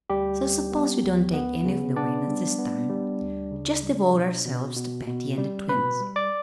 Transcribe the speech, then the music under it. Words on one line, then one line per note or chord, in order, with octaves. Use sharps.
"So suppose we don't take any of the Whalens this time--just devote ourselves to Patty and the twins."
D2 G3 G4
G3
B3
D2
B3
C#3
B3 D4 D5
G3
B3
G3
D2
C#3
G3
B2
B2
B2
B2
G3
B2 B4 B5
G3
D5 D6